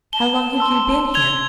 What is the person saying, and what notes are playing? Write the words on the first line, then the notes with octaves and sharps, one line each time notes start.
"How long have you been here?"
A5 G7
C6 E6
G#6 F7 G7